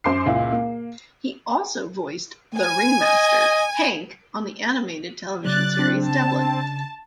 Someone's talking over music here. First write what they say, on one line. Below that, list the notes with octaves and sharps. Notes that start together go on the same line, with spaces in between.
He also voiced the ringmaster, Hank, on the animated television series "Devlin".
F#2 C5 C6 D6 C7
C#2 A#2 E4
A#3
G#5
D#5
C#3 F#3 D5 F#6 A6
C4 D4
C#3 A5